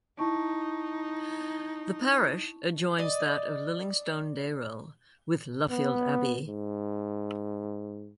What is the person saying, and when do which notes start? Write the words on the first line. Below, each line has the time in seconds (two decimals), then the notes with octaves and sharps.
The parish adjoins that of Lillingstone Dayrell with Luffield Abbey.
0.19 D#4 E4 A5 C#6
2.98 D5 D#5
5.71 B3
6.48 G#2